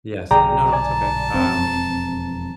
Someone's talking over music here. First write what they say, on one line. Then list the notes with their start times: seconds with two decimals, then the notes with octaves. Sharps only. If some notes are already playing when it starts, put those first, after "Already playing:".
Yes uh, no, no, it's okay. Um,
0.31 B1 G2 D3 G#4 D5 G5 A#5
0.73 D5 G#5 A5
1.34 E1 F2 C4